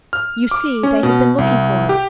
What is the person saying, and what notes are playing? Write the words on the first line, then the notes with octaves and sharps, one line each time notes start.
You see, they had been looking for her.
F6
D6
C#4
B2
C2
G4